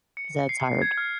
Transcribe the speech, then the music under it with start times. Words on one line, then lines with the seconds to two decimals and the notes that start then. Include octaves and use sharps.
‘cause that's hard.
0.17 C#7
0.49 C7
0.82 G#6
0.98 F6